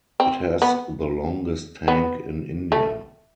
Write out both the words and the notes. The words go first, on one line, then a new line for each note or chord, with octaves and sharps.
It has the longest tank in India.
C4
B3
B3
A3